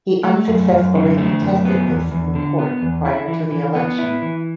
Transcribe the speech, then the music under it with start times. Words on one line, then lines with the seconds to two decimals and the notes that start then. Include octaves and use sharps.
He unsuccessfully contested this in court prior to the election.
0.24 A3
0.48 F#2
0.72 F#2
0.95 D3
1.18 A3
1.41 F#2
1.65 B3
1.88 E2
2.11 E2
2.35 D3
2.59 B3
2.82 E2
3.05 E4
3.28 E3
3.52 E3
3.75 B3
3.98 E4
4.22 E3